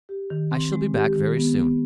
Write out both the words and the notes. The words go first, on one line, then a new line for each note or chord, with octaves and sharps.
I shall be back very soon.'
G4
D#3
C4
G#3
G4
D#3
B3
B3